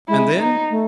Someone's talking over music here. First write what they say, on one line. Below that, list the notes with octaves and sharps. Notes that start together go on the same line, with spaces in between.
"And then?"
G#3 E4
D#4
A3